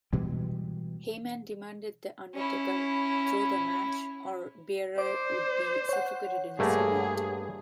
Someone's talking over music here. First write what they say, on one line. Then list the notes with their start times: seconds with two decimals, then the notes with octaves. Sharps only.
Heyman demanded The Undertaker throw the match or Bearer would be suffocated in cement.
0.13 B2 E3 G3 G#3
2.34 C#4 E4
4.98 C5 D5 D6
5.89 C#5 F#5
6.59 G2 A3 A#3 G#4